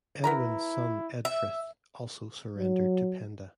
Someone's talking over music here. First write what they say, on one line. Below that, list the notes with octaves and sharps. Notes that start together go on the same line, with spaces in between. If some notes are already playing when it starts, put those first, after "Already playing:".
Edwin's son Edfrith also surrendered to Penda.
B3 E4 A#4 A#5
E5
F#3